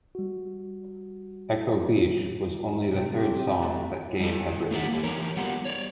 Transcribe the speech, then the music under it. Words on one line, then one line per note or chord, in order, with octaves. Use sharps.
"Echo Beach" was only the third song that Gane had written.
G3 F#4
C3 A3
G4
F#3 A3
G3 A4
A3 D#4 G4 D5 E5 F#5
A#3 G4
E3 A3 D#4 A#4 C#5
F#3 G3 B3 F4 G4 F#5
C#5 D5